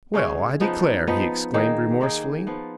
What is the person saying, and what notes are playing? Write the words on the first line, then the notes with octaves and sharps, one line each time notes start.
"Well, I declare!" he exclaimed remorsefully.
C#3 G#3 C#4
F3 B3 D#4
F3 B3 D#4
D#3 A#3 D#4 G#4
D#3 A#3 D#4 G#4
F3 B3 F4